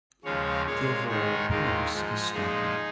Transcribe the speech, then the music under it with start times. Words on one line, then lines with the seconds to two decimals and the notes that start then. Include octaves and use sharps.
The overall appearance is stocky.
0.24 D#2 C#3 F3 G#3 C#5 F5
0.66 A#2 G#3 C#5 F5
1.08 G#2 D#3 G#3 G#4 C#5
1.50 D#2 D#3 G#3 F4 A#4
1.92 G#2 F3 G#3
2.33 A#2 F3 G#3 D#4 G#4